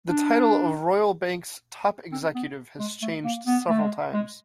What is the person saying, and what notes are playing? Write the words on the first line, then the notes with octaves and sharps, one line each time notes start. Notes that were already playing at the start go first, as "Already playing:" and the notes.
The title of Royal Bank's top executive has changed several times.
D4
C4
B3
G#3
A3
A#3
B3
A3
G#3
G#3